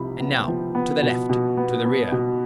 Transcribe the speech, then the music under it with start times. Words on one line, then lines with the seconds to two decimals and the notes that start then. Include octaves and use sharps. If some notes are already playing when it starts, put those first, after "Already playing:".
And now--to the left! to the rear!
Already playing: C2 C3 F3 B5
0.20 B3
0.34 G5
0.48 F3
0.75 B3
1.02 B2
1.29 B2
1.57 B3
1.85 B3
2.12 B2